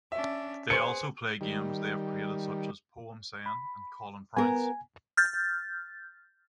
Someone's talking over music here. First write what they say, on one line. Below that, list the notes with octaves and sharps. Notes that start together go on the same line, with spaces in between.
They also play games they have created such as "Poem Sayin" and "Callin Pranks".
C#4 D4 E5
G#4 B4 C5 C6 C#7
D#3 G3
B5
B3 A#4 G#5
F6 G6 A6